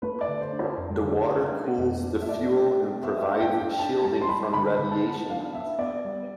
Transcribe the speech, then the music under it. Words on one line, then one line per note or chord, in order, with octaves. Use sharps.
The water cools the fuel and provides shielding from radiation.
A3 B4
D5
D3
C5
D4
C5
F2
D3
A3
D4
F2
D4
E5
A3 D5
D4
D4
B3 E5
E5
D4
G5
D4
G5
D4 A5
G3 A5
C6
G3 B5
D3 B5
D3
A5
B3
D4 F5
B3 E5
B3 D5
G3